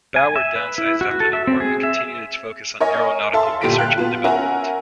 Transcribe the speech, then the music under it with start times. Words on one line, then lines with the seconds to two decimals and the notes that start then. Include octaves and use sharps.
BuAer downsized after the war, but continued its focus on aeronautical research and development.
0.16 G#5
0.36 E5
0.55 B4
0.78 E4
1.01 F#4
1.20 A4
1.33 E5
1.47 C4
1.60 G#4
1.83 E5
2.80 A#4 C#5 D#5 G#5
3.33 A4 E5 F5 A5 C6
3.62 G1 A#2 G4 A4 B6 D7
3.78 F5 G5 F#6
3.98 B3 F4
4.24 C#4 A#4 E5 F#5 G#5 A#5